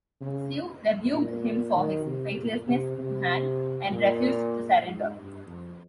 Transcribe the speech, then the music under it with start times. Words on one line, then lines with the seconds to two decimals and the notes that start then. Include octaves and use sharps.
Su rebuked him for his faithlessness to Han and refused to surrender.
0.21 C#3
1.14 A#2
1.76 D#3
2.06 C3
2.37 A#2
2.68 C3
2.99 C3
3.92 A#2
4.85 G#2
5.16 G2
5.47 F2